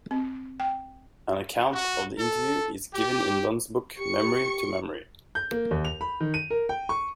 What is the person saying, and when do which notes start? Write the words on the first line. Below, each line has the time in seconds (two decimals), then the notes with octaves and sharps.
An account of the interview is given in Lunn's book "Memory to Memory".
0.11 C4
0.60 G5
1.72 F#4
2.18 A4
2.93 G4
3.99 G4 C#6 C#7
5.35 G6
5.51 A#3
5.71 D#2
5.85 F7
6.01 B5
6.20 D#3
6.34 D#7
6.50 A#4
6.69 G5
6.89 C#6